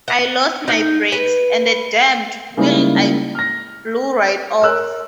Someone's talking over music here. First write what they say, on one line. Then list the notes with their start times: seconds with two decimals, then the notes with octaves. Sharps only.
I lost my brakes, and the damned wheel blew right off.
0.08 F#5
0.68 D#4
1.12 B4
2.57 C#3 G3 G#3 A#3 D#4 E4
3.35 F6 A#6
4.61 A#4 C#5 E6 F#6